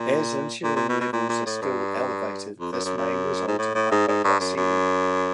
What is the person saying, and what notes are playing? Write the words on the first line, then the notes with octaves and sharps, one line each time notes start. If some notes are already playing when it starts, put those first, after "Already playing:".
As insulin levels are still elevated this may result in hypoglycemia.
Already playing: A#2
A#2
A#2
B2
B2
A#2
A#2
A2
G2
F2
F#2
F#2
F#2
G#2
A2
A2
G#2
G#2
G2
F#2
F#2